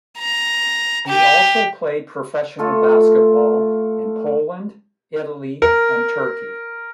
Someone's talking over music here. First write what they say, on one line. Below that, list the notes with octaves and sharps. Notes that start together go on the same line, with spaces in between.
He also played professional basketball in Poland, Italy and Turkey.
A#5
G4
A3 F4 A4
A#4